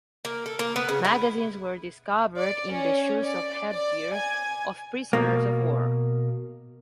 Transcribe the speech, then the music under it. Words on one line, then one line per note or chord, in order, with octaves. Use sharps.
Magazines were discovered in the shoes or headgear of prisoners of war.
A#3
A4
A#3
B3
C#3
E4
D5
C#4
D5
D5
G#5
B2 A#3